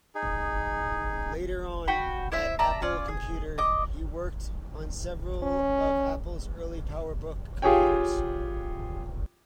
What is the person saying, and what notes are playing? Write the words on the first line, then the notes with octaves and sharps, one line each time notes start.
Later on at Apple Computer, he worked on several of Apple's early PowerBook Computers.
D#4 G#4
F#4 G5 B5
E4 C5 E5
D5 E5 A5 A#5
C#4 F4 D5
G#4
D#5 D6
C#4
F4 G4 G#4 C#5 G5